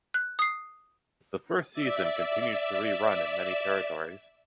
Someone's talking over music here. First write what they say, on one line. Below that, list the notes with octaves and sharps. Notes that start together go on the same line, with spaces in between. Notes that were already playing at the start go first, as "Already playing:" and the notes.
The first season continues to re-run in many territories.
F#6
D#6 C7
D5 E5 E6